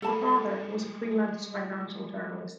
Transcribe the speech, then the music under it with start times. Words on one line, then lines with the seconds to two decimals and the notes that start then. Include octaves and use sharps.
Her father was a freelance financial journalist.
0.02 G3 G#3 A4 A5 B5